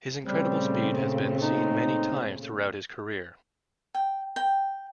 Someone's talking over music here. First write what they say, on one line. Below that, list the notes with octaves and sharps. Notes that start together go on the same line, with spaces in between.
His incredible speed has been seen many times throughout his career.
A#2 C#3 G3 A3 C4
D#4
G5
G5